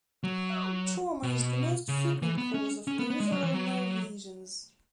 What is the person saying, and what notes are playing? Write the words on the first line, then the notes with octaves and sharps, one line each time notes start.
Trauma is the most frequent cause of peripheral nerve lesions.
F#3
B2
C#3
E3
B3
C#4
C#4
B3
B3
G#3
F#3
E3
F#3